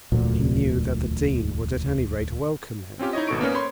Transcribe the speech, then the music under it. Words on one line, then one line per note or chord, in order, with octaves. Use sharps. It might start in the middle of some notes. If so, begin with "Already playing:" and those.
He knew that the Dean would at any rate welcome him.
E1 D2 A#2 F#3
C4 C#4 F4 G4
D#4 E4 C#5 D#5
G#1 B2 A4 C#6 D7
A#3 B3 C#4 A#4
C5 C#5 B5 C6